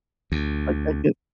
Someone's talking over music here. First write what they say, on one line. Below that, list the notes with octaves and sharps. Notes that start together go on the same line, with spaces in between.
like, I can
D2